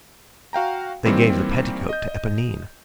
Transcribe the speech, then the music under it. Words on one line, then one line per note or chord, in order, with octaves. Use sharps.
They gave the petticoat to Eponine.
F#4 F5 G5 A#5
D#3 E3 G3 A#3 C4
D#5 G6